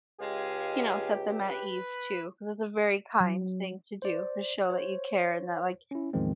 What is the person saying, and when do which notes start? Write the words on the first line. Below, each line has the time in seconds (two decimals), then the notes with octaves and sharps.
you know, set them at ease, too, 'cause it's a very kind thing to do to show that you care and that, like,
0.20 C#2 G#3 G4 F5 G#5
1.46 B4
3.20 F#3
4.02 C5 D5
4.70 C5 C#5
5.91 C#4 E4
6.13 E2 A2 D#3 F3 G#3 C4